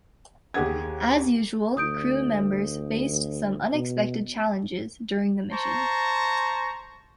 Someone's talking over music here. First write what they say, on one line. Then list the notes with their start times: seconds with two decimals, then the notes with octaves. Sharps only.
As usual, crew members faced some unexpected challenges during the mission.
0.54 D#2 G4 G#4 F#5 G#6
1.77 D2 D#6 G6 D7
3.74 B2
5.52 C5 A5 A#5 C#6